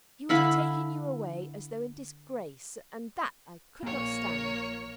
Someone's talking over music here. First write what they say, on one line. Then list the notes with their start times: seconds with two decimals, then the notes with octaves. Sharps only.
He would have taken you away as though in disgrace, and that I could not stand.
0.29 D3 E4 F5 B5
3.83 A#1 A#2 A#3 C#5